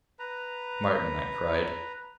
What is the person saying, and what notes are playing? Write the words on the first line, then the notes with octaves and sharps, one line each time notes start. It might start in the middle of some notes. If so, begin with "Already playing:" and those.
"Martin," I cried.
B4 A#5